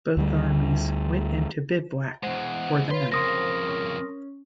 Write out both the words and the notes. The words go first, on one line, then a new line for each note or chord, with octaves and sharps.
Both armies went into bivouac for the night.
D2 D3 F3 G3
E2 G#3 C5 F#5
F4 B4 C#5 C6
F2 C#3 A#4 C5 C6 D#6 A#6
C#4